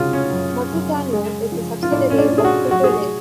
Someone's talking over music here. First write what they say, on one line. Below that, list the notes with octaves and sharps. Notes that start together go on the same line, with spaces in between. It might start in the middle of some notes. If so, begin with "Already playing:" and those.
Matutano is a subsidiary of Frito-Lay.
Already playing: C#3 G#3 F4 F#4 G#4
C#4
F#2
F#2
G#3
F3
F4
A2 D4
C#4
D4
A2
G#4
F#4
F#3 F#4
G#4
F#4